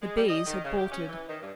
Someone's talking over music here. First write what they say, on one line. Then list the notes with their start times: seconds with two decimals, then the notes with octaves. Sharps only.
The bays had bolted.
0.01 G#3
0.16 G3
0.29 D#5
0.46 D#3
0.64 C#3
0.78 G4
0.91 C#4
1.09 E3
1.28 D#3
1.40 G2